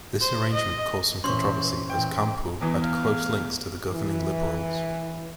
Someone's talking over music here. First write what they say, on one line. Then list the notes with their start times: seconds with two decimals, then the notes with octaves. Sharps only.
This arrangement caused some controversy as Campeau had close links to the governing Liberals.
0.21 C5
0.54 D#5
1.24 A#2 E3 C#4 C5 C6 C#6
1.89 A#2 E3 G5
2.61 E2 E3 B3
2.83 F5
3.92 E3